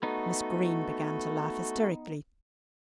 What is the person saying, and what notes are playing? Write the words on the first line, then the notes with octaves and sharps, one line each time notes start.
Miss Greene began to laugh hysterically.
A3 B3 D#4 F#4 A4